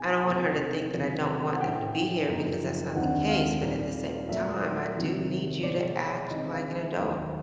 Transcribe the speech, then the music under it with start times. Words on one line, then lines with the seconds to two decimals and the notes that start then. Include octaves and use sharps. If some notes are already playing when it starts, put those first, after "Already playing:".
I don't want her to think that I don't want them to be here because that's not the case, but at the same time, I do need you to act like an adult.
Already playing: B2 G#3 B3 D#4 G#5
0.26 E2 C3 F3 A#3
0.93 E2 C3 D#3 F#3
1.55 F#5
1.60 A2 E3 A3 C#4 G5
2.27 F#2 C#3 F3 A#3 D#4
2.94 D#2 D3 G3 C4 D#4 F#5
3.28 F5
3.62 A#2 G3 C4 D#4
4.28 A#2 F#3 A3 C#4 E5
4.95 E2 C3 D#3 F#3 A#3
5.63 B2 G#3 B3 D5
5.85 C#5
6.08 C#5
6.30 G2 D#3 G#3 C4 D#4 D#5
6.52 F5
6.76 E5
6.97 D#2 D#3 F#3 A#3 C#4 F5